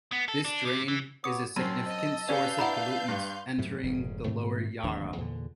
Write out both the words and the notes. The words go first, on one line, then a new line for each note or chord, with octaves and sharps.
This drain is a significant source of pollutants entering the lower Yarra.
B3
A4
D4
C3
E3
B3 C#5 D6 D#6 C#7
F#2 C4 C#4 A5 E6 D#7
D#5
C#4 G4 B4 D5 F5 G6
D4 E4 F#5 A#5 B5
G2 C6
F#2 A2 C3
F1 G#2 C#3
G#2 C3 D#3 A3
D1 D#2 F3 D4
E2 A#2 D3